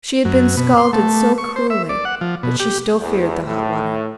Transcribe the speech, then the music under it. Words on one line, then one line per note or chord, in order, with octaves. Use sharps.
She had been scalded so cruelly that she still feared the hot water.
F#2
B2
C6
A3
C#6
C5
E5
D5
F#5
F3
B2
G4
E2
A2